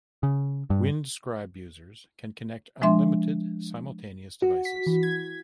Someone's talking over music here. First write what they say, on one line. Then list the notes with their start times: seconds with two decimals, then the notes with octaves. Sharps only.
Windscribe users can connect unlimited simultaneous devices.
0.23 C#3
0.70 G2
2.82 F3 G#3 D4 E5 C6
4.42 F#4
4.65 B6
4.86 E3
5.03 G#6